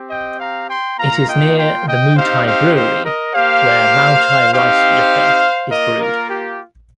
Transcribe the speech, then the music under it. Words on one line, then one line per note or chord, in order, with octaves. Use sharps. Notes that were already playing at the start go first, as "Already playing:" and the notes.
It is near the Moutai brewery, where Maotai rice liquor is brewed.
Already playing: C4 G4
D#5 G5
F5 A#5
G5 C6
A#3 F4 F5 A#5
D#5 G5
G5 C6
D#5 G5
C4 D#4 G4 C5 F5
C5 F5
C5 F5
A#4 D#5
A#3 G4 C5 F5
C4 D#4 G4 C5 F5
A#3 F4 A#4 D#5
A#4
G4